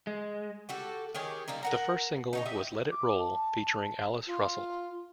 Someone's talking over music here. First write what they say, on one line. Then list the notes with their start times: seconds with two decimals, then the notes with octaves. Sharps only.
The first single was "Let It Roll", featuring Alice Russell.
0.07 G#3
0.69 F#4 G4 A4
1.14 D#3 G4 G#4 C#5
1.48 G3 A#3 C4 D#4
1.63 A#4 F#5 A#5
2.33 D#4 C#5 D#5
2.45 G4 D#5 E5
2.91 D6
3.18 A5
4.26 F4